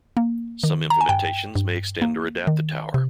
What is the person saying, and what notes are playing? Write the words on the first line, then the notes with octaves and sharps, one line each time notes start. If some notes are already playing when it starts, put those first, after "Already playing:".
Some implementations may extend or adapt the tower.
A#3
D#3
A#5
G#5
G2 G5
G2
A#3
D#3
C3